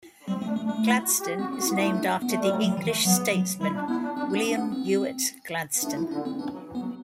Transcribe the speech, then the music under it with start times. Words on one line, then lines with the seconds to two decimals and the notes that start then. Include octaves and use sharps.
Gladstone is named after the English statesman William Ewart Gladstone.
0.28 G3 C4
0.42 A3
0.47 D4
0.56 A3
0.65 D4
0.69 A3
0.84 E4
1.02 F#4
1.20 G4
1.39 C4 F#4
1.53 C4
1.57 F#4
1.66 B3 E4
1.76 A3
1.81 E4
1.95 D4
2.22 B3
2.28 A3
2.39 G3
2.50 F#3 A3
2.63 F#3
2.69 G3
2.77 E3
2.88 A3
3.05 F#3 B3
3.33 F#3
3.61 G3 E4
3.75 D4
3.88 B3 E4
4.03 D4
4.16 C4 D4
4.30 D4
4.35 B3
4.45 D4
4.54 B3
4.58 D4
4.72 C4
5.76 B3
5.83 A3 D4
5.97 E4
6.11 D3 D4
6.25 C4
6.38 E3 D4
6.52 F#3
6.66 E3
6.75 B3
6.80 F#3